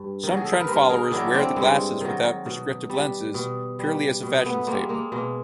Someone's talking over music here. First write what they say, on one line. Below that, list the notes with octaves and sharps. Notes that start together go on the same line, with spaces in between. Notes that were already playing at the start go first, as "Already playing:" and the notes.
Some trend followers wear the glasses without prescriptive lenses, purely as a fashion statement.
Already playing: G2
D#3 F#3
G#4
A4
A#4
B4
G2 A#4 C5
G#4 A#4
D#3 F#3 D4 E4
C4 D4
G2 G#3
D#3 F#3
B2
G3
B2
G3
B2
A3 B3
G3 G#3 A#3
G#3 A#3
B2 G#3 A#3